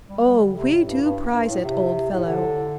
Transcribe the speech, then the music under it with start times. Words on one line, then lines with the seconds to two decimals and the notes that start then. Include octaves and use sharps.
Oh, we do prize it, old fellow!
0.08 G3
0.24 G3
0.39 D3
0.55 C3
0.70 A2
0.86 G2
1.01 G2
1.33 G2
1.48 A2
1.64 C3
2.10 A2
2.26 D3